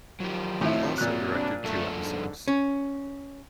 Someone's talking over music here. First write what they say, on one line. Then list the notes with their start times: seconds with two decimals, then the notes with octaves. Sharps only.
He also directed two episodes.
0.20 D#3 F3 F#3 G4
0.61 A2 C4 E4 F#4 C#5
0.98 A#2 F3 F#6
1.31 C3 G3 D4
1.64 F#2 A3 D4 A4
2.02 D#2 G#2 D3
2.48 C#4